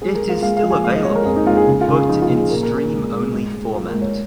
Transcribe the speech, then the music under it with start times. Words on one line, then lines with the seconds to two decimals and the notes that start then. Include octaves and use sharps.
It is still available, but in stream-only format.
0.02 G#3 G#4
0.15 A#4
0.23 G#3
0.29 F4
0.42 G#3 F5
0.57 F5
0.63 F3
0.70 G#5
0.84 G#3 F5
0.95 D#5
1.04 G#3 C#5
1.16 A#4
1.25 F2 G#4
1.36 D#4
1.47 G#3 F4
1.57 G#4
1.67 C#3
1.81 F4
1.88 C#3
1.95 G#4
2.08 F3 D#4
2.22 F4
2.29 C#3
2.36 G#4
2.50 A#2 A#4
2.63 A#4
2.70 A#2
2.78 A#4
2.92 G#3
3.12 G#3
3.33 G#2
3.54 G#3
3.74 G#3 F4
3.88 A#4
3.94 G#2
4.02 C#5